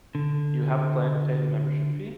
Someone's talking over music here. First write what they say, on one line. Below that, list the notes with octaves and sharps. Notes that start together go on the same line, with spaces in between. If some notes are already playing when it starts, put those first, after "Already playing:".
Do you have a plan to pay the membership fee?
D3